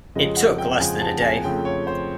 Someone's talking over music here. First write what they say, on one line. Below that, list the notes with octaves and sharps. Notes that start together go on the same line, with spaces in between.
It took less than a day.
F2 C#3 F3 G#3 C4 D#5
F#5
G5
F2 C#3 F3 G#3 C4 G#5
A5
G#5
F2 C#3 F3 A3 G5
C#5
C5